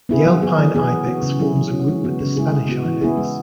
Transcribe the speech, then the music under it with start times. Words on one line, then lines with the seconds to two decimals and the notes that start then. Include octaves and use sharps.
The Alpine ibex forms a group with the Spanish ibex.
0.09 B3 E4 G#4
0.26 F#3
0.42 B3 G#4
0.58 E3
0.75 B3 G#4
0.91 E3
1.07 B3 F#4
1.23 C#3
1.39 F#3 E4 G#4
1.56 E3
1.72 C#4 F#4
1.88 G#3
2.04 B3 F#4
2.20 C#3
2.37 G#3 E4 G#4
2.52 G#3
2.69 B3 F#4
2.85 E3
3.01 B3 E4 G#4
3.17 G#3